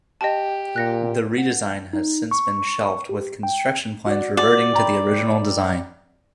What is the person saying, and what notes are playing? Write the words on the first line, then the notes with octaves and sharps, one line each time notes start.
The redesign has since been shelved with construction plans reverting to the original design.
G4 D#5 A5
A#2 F#6 A#6 C#7
F#5
D#4
C#6
G4
G5
F#4 D5
F#4 D5
G5 A#5 B5